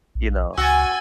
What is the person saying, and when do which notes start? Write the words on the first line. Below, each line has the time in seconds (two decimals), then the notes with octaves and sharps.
you know?
0.15 A#1
0.58 C#2 F#4 G#5 E6 A6